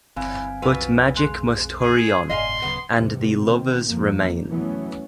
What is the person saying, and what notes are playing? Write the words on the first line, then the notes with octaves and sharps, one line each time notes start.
But magic must hurry on, and the lovers remain.
G1 E3 C4 F5 G#5
B1 F2 F#3 F4 B4
G#3
G#4
F#1 G#2 B2 D#5 F5 G#5 C6
D1 C#3 F#3 B3
E2 G2 C3
B2 D#3 C4
F2 B2 F3 A#3
E3 F#3 A3 B3 C#4